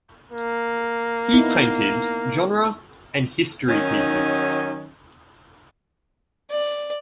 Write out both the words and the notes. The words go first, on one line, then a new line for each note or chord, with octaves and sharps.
He painted genre and history pieces.
A#3
B3 D#4 E4
D#3 F#3 C#4 D#4
D5